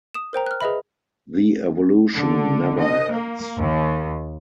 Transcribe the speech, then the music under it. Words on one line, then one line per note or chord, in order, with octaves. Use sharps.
The evolution never ends.
D#6 E7
A#4 C5 G5 A#5
F6 F#6
G#4 B4 D#5 E5 B5
D3
D#5
A#3
D#2